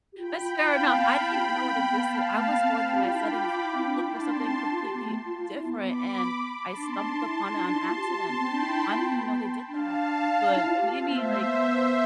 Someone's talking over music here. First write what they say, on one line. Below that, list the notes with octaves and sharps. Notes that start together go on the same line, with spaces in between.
That's fair enough. I didn't even know it existed. I was going in my settings to look for something completely different, and I stumbled upon it on accident. I didn't even know they did that, but it made me, like,
G4
F4 G5 B5
F4
F4 F5 A5
E4
C4
B3
G5 B5
B3
G4
F4
E4
C4
B3
B3 F5 A5
B3
A3
B3
C4
G5 B5
G4
F4
E4
D4 B5 D6
F4
F4
F4
E4
C4
D4
F4
E4 A5 C6
D4
C4
E4
D4
D4
F4
G4
B3
A3
F4
F4
E4
B3
B5 D6
A5 C6
D4
B3
D4
D4 A5 C6
E4
E4
D4
D4
E4
F4
G4 A5 C6
F4
G4
B3
C4 G5 B5
D4
E4
D4
E4
F4
B3
B3
D4 F5 A5
D4
E4
F4
G4
F4
F4 C5 E5
B3
A3
A3
B3